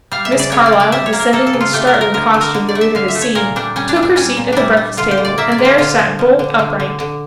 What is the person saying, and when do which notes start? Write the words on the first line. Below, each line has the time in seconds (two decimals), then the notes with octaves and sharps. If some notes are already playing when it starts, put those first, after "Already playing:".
Miss Carlyle descended in the startling costume the reader has seen, took her seat at the breakfast-table, and there sat bolt upright.
0.12 G3 F5
0.25 E5
0.32 C#3
0.39 D5
0.52 C#3 C#5
0.66 D5
0.72 G3
0.80 D5
0.92 G3 E5
1.06 C#5
1.13 A#3
1.20 A#4
1.33 A#3 A4
1.47 A4
1.53 C#3
1.61 F4
1.73 A3 G4
1.87 A#4
1.94 A3
2.01 A#4
2.14 D3 A#4
2.34 D3
2.41 A#4
2.54 D3
2.69 D5
2.75 A3
2.81 E5
2.95 D3 F5
3.08 E5
3.15 A3
3.22 C#5
3.35 A#2 A#4
3.56 G3 D4
3.76 G3 C#4
3.89 D4
3.96 G3
4.02 D4
4.16 G3 C#4
4.37 A#2
4.52 G3 D4 E4
4.77 G3
4.97 D3 F4
5.11 G4
5.18 D3
5.25 D5
5.38 A#3 E5
5.52 D5
5.58 D3
5.65 F4
5.78 D3 F4
5.99 F3
6.19 F3
6.39 D3
6.59 D3
6.80 D3
7.00 D3